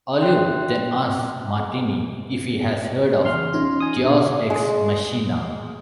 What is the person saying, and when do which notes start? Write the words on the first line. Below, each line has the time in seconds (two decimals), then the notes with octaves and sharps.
Olive then asks Martini if he has heard of Deus Ex Machina.
0.21 E5 G5 C6 F#6
3.24 E2 C6 F6
3.53 C#4 D#4 F4
3.80 G#5 D#6
3.98 B2 D4
4.50 G#3